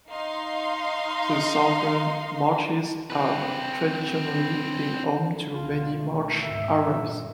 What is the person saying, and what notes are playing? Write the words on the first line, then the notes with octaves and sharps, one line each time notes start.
The southern marshes have traditionally been home to many Marsh Arabs.
D#4 F5 C6
C4 B4
C#2 B2 F4
A3
G#1 D2 G#2 E5
F#1 G2 A#2